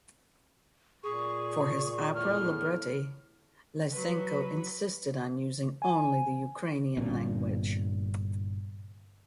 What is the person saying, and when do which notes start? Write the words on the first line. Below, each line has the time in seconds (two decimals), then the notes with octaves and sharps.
For his opera libretti Lysenko insisted on using only the Ukrainian language.
1.03 A#2 G#4 C#6
2.15 E2 A2 F6
3.92 F#3 B4
5.82 G#5
6.97 G1 G2 A#2 C#4